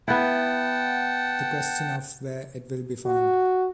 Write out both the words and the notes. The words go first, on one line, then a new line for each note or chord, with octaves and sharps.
The question of where it will be found.
B3 E4 F#5 G5 A5
F#4